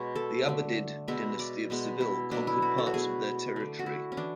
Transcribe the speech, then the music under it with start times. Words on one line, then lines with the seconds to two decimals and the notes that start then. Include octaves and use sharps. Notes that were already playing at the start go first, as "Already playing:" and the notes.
The Abbadid dynasty of Seville conquered parts of their territory.
Already playing: B2 G#3 B3 C#5
0.16 A4
0.46 D3 A3
1.08 B2 G#3 B3 E5
1.39 D5
1.70 B2 G#3 B3
2.01 E4
2.31 B2 F#3 A3 D4
2.47 E4
2.62 F#4
2.78 A4
2.86 F#4
2.94 B2 A3 G#4
3.56 D3 A3
3.79 F#4
3.86 E4
4.12 C#4
4.17 E3 D4